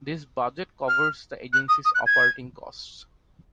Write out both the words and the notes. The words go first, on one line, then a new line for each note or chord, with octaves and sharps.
This budget covers the Agency's operating costs.
F6
F#6
D#6
D#6
F#6
G#6